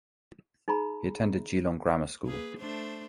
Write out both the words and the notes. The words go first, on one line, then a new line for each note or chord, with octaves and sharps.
He attended Geelong Grammar School.
D#4 G#4 A#5 B5
A#3 G#4 B4
A3 D4 C5